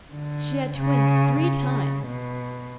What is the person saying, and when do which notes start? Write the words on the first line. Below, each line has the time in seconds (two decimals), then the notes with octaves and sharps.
She had twins three times.
0.14 D3
0.78 C#3
1.42 C#3
2.07 B2